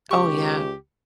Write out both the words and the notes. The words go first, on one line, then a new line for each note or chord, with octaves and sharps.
Oh yeah.
C#2 G4 C#6